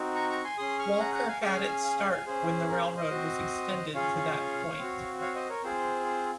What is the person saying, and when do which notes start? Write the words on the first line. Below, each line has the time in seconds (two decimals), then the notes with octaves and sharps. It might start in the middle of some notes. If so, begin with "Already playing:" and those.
Walker had its start when the railroad was extended to that point.
Already playing: C4 D#4 F#4
0.15 A#5 C#6
0.30 A#5 C#6
0.44 G#5 C6
0.58 C#4 G#4 C6 D#6
0.79 C#6 F6
1.00 F#5 A#5
1.14 F#5 A#5
1.28 F5 G#5
1.42 C#4 G#4 F5 G#5
1.84 F5 G#5
1.99 F5 G#5
2.12 F5 G#5
2.26 C#4 G#4 C5
2.69 A#4
2.82 C5
2.96 C5 D#5
3.11 C4 F#4
3.95 C#4 F4 G#4 C#5 F5
4.16 C#5 F5
4.79 C4 F#4
5.21 C#5 F5
5.35 C5 D#5
5.49 A#4 C#5
5.63 C4 F4 G#4 C5
6.06 C5